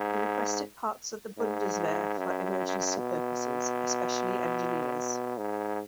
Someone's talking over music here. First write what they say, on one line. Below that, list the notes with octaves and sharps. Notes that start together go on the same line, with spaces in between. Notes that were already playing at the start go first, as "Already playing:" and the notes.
He requested parts of the Bundeswehr for emergency purposes, especially engineers.
Already playing: G#2
G#2
F#2
B2
G#2